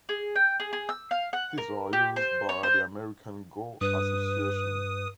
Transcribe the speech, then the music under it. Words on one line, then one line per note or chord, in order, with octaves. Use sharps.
These are used by the American Go Association.
G#4
G5
G#4
G#4
E6
F5
F#5
A#4
G4
C5
C#5
C5
G2 B4 D#6